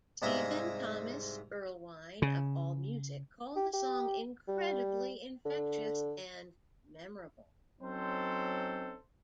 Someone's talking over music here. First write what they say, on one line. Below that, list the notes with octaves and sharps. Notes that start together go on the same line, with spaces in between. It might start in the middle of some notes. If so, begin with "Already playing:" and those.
Stephen Thomas Erlewine of AllMusic called the song "incredibly infectious" and "memorable".
C2 G#2 G#3 E5 F5 A#5
C#3
G4
G4
G3
D3
F#3 C4 C#4 D#4 A4 C5